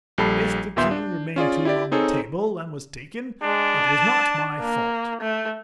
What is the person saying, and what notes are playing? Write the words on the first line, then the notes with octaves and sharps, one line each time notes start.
If the King remained too long at table, and was taken, it was not my fault.
A#1 G3 A4 A5 B5 C7
D#2 A#2 B3 E5 C6 G6
D4
C#4 F4 G#4 D5
E4 G4 D5
C4 D#4 G#4 A4 C#5
G#3 D4
A5
A#3
A3